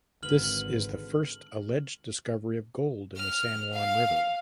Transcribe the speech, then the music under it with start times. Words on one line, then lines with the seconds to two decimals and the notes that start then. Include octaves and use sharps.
This is the first alleged discovery of gold in the San Juan River.
0.23 G#1 D3 B4 F6 F#7
3.16 F6
3.73 F5